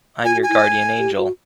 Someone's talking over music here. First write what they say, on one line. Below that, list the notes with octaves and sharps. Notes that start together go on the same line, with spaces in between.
I'm your guardian angel.
F4 G#5
F#4
G#5
E4
G4
F#4